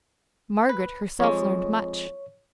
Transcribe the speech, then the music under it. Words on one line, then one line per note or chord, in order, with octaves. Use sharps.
Margaret herself learned much.
B4
F2 G#3 C#5